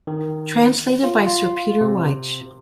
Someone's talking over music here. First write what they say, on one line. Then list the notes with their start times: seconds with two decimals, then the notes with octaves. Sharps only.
Translated by Sir Peter Wyche.
0.07 D#3
1.03 F4
1.27 F4
1.81 C3